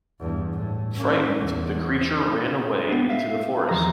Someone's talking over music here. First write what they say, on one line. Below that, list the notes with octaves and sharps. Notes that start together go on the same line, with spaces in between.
Frightened, the creature ran away into the forest.
E2 G2
A2
A#3 C#4
E2
C4
B3 D4
E5 F5
E2 F3 A#5